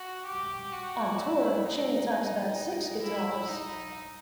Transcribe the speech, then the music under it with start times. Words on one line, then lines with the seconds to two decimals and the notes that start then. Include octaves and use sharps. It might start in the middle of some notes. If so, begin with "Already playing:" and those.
On tour, Cheney takes about six guitars.
Already playing: F#4
0.26 G4
0.72 F#4
1.18 E4
1.64 D#4
3.02 E4
3.48 D#4